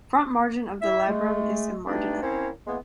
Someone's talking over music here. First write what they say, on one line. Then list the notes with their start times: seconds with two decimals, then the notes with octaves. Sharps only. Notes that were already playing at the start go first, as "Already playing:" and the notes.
Front margin of the labrum is emarginate.
0.82 E4 E5
1.07 G#3 A3
1.86 B2 G3 A3 D4 D#4
2.22 A#3 C4 C#4 E4 C#5
2.67 E3 G#3 A#3 B3